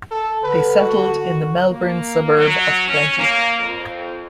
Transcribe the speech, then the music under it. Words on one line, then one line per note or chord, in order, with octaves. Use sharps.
They settled in the Melbourne suburb of Plenty.
A4
D3 B4
F#4
A#3
F#3
C#4
A#3
F2